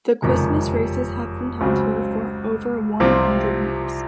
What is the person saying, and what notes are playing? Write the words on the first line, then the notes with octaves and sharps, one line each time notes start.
The Christmas races have been held here for over one hundred years.
F#1 F2 C3 D#3 G#3
C#2 C#3 F#3 C4
C2 C3 F3 C4 F4